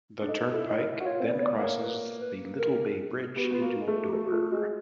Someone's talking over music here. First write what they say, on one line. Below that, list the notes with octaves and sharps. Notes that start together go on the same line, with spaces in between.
The Turnpike then crosses the Little Bay Bridge into Dover.
D4
D#4 A4
E4 A4
D#4
E4 A#4
F#4
F4 C#5
C4
D5
B3
C#5
D5
A#3
C#5
B4
B4
A#4
B3 G4
F#4
B3 F4
A#3 F#4
G#3
A3
G4
A3 F#4
F#4
A3 F4
G#3 F#4